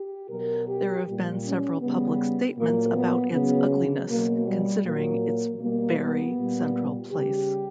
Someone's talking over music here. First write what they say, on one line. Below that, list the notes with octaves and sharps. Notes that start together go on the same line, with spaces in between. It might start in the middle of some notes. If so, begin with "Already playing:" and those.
There have been several public statements about its ugliness, considering its very central place.
Already playing: G4
B2 F#3 A#4
G4
A#2 G3
C#4
C#3 G3 B3
A#2 F#3 A#3
B3
C#3 F#3 B3
B2 F#3 A#3
G3
A#2 F#3 A#3
B2 G3 A#3
B3
A#2 G3
C#3 G3 G4